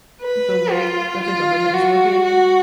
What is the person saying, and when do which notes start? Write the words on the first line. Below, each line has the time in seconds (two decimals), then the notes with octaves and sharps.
the way that the government is looking,
0.21 B4
0.72 F4
1.23 F4
1.74 F#4
2.24 F#4